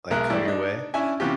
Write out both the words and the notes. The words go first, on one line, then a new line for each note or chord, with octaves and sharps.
like, come your way.
B1 G#3 A#4 E5 F#6
E3 G3 A3 E4 G4 D5
D4 D#4
C#4 D4 E4 E5 G#5
C3 E3 B3 C#4 F4 G4